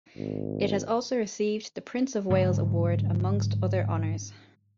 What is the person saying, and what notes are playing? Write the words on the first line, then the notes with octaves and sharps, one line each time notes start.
It has also received the Prince of Wales Award, amongst other honours.
G#1
G#2 D3 F#3